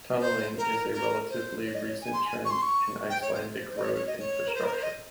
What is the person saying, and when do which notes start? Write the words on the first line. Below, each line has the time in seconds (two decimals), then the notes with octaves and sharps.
Tunneling is a relatively recent trend in Icelandic road infrastructure.
0.20 C5
0.57 A#4
0.93 A#4
1.30 C5
1.66 C#5
1.75 D#5
1.83 C#5
2.01 G#5
2.13 C6
2.25 G#5
2.45 C#6
2.50 C6
2.62 C#6
3.10 G5
3.22 C#5
3.34 C5
3.59 C5
3.70 C5
3.77 D#5
3.83 C#5
3.94 C#5
4.07 D#5
4.19 C#5
4.47 A#4
4.54 C5
4.64 A#4
4.73 C5
4.83 D#5